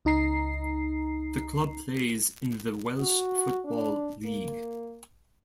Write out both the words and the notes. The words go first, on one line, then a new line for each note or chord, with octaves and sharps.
The club plays in the Welsh Football League.
C#2 D#4 A#5 C7
F#4
D4
A#3